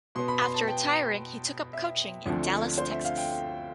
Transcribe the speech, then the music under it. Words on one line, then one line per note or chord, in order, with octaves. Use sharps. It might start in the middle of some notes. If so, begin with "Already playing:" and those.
After retiring, he took up coaching in Dallas, Texas.
B2 B3 C6
B5
C6
A5
G5
E5
D2 D3 F3 A3 C4
C5
E5
F5
G5
G5